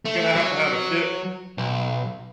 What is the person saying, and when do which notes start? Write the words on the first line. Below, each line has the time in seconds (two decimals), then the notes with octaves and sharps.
You're gonna have to have a ship
0.05 A3
0.35 F#3
1.58 B1